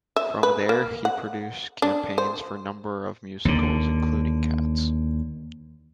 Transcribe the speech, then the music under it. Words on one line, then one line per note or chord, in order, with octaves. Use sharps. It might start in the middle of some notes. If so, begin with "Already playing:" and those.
From there, he produced campaigns for a number of musicals, including "Cats".
E5
B4
A#3
F#5
D4
C5
D#2 D3